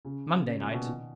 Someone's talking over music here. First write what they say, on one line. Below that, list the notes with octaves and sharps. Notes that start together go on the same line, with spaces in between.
Monday night?
C#3
C#3
A#2
B2
D#3